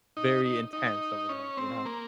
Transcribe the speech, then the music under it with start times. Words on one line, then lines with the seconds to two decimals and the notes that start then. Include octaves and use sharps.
very intense over there, you know?
0.17 D#4
0.45 D#4
0.73 D#4
1.29 C#4
1.57 C4
1.86 A#3